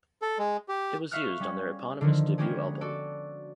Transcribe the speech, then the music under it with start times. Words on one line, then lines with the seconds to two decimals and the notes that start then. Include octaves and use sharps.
It was used on their eponymous debut album.
0.22 A4
0.38 G#3
0.69 G4
1.11 E5 F5 C#6 F6 F#6
1.40 G3 C#4
2.01 D3 D#3 F3
2.38 G#3 A#3 B3 C#4 G4 G#4
2.81 F#4 A4 D5